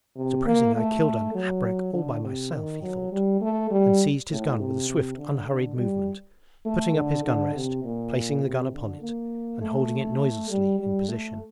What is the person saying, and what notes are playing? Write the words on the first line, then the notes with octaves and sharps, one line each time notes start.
'Supposing I killed an abrek all by myself!' he thought, and seized his gun with a swift, unhurried movement, putting up his gun-rest, placing the gun upon it, and holding it noiselessly in position.
C3
A#3
A3
F#3
D3
C3
D#3
F#3
G3
A3
G3
A2
C3
C3
D3
D3
G3
A3
D3
D3
C3
A#2
C3
D3
A#3
A3
G3
G3
A3